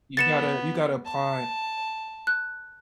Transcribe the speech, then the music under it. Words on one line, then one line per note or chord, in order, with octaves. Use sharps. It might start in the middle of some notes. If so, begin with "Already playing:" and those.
You gotta you gotta apply,
B3 A6 C#7 E7
A5
F#6